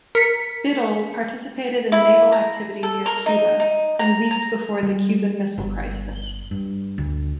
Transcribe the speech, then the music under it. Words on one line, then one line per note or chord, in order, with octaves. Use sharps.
"Biddle" participated in naval activity near Cuba in weeks before the Cuban Missile Crisis.
A#4 B6 C#7
E4
A#5
A4
A#4
D#4
D#4
A#5
A#5
G3
G1
G2
D2